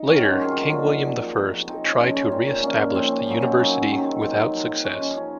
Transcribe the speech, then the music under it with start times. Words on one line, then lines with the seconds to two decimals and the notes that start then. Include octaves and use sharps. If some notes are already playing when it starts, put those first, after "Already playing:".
Later, king William the First tried to re-establish the university, without success.
Already playing: D#4
0.09 C3 D#3 F#3 C#4
0.25 C#4 F4
0.41 C3 D#3 F#3 F4 G#4
0.73 A#2 F3 D#4 F#4
1.05 A#2 F3
1.36 C3 F3
1.68 C3 F3 C4 D#4
1.84 C#4 F4
1.99 A#2 F3 F4 G#4
2.09 D#4
2.15 C#4 F4
2.31 A#2 F3 C4 D#4
2.47 C#4
2.63 A#2 F3 C#4
2.94 A#2 F3 C4
3.27 F#2 C#3 F#3
3.42 C4 D#4
3.58 F#2 C#3 F#3
3.90 C3 D#3 F#3
4.21 C3 D#3 F#3 C4
4.52 C3 F3
4.84 C3 F3 C#4
4.93 D#4
5.01 C#4
5.17 F3 C#4